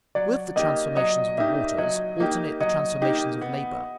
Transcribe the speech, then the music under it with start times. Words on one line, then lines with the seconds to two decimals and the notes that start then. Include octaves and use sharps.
With the transformations of the waters alternate the transformations of labor.
0.15 F#3 D5
0.56 A#3 D#4 G4 D#5
0.96 F#3 D#5
1.37 A#3 D#4 G4 E5
1.78 F#3 D#5
2.20 A#3 D#4 G4
2.60 F#3 D#5
3.02 A#3 D#4 G4
3.41 B3